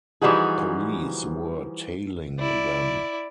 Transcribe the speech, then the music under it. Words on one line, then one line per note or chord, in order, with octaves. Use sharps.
Police were tailing them.
E3 F3 G3 D#4 F#4 G#4
E4 D5